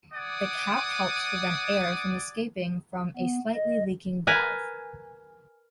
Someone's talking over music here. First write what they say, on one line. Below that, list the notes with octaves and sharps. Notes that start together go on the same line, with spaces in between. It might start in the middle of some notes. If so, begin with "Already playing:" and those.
The cap helps prevent air from escaping from a slightly leaking valve.
D5 F#5 G#5 D6 D#6
B3
D#5
A#4 B4 G#5